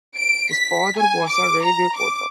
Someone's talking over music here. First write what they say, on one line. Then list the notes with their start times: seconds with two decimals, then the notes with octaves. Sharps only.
His father was a railway porter.
0.17 D7
0.51 B6
0.97 G#5
1.28 D6
1.61 A#5
1.96 D6